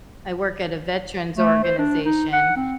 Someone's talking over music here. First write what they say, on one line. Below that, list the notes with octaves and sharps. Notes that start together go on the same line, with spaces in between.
work at a veterans organization,
A3
C5
D4
D#4
F#5
C4